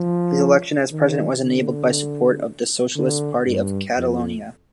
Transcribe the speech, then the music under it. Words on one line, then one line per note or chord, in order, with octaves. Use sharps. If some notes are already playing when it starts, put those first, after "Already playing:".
His election as president was enabled by support of the Socialists' Party of Catalonia.
Already playing: F3
D#3
D3
D3
G2
F2